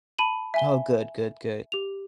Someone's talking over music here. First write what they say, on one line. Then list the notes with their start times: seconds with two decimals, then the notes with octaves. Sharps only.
Oh, good, good, good.
0.19 A5 B5 D#7 F#7
0.54 E5 G#5 G7
1.72 G4 F7